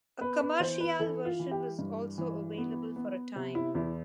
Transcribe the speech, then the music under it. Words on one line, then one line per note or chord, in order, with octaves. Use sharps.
A 'Commerciale' version was also available for a time.
B3 B4
B4
E3 C5
B4
E3 A4
F4
E3
G4
G2
E3
B3
B3
C3
E4
E2 E4